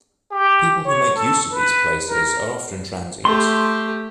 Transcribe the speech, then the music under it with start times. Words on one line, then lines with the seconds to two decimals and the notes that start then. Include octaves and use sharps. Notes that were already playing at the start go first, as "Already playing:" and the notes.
People who make use of these places are often transients.
0.32 G4
0.85 C#5
1.16 A4
1.52 B4
2.08 A#4
3.25 A3 G4 C6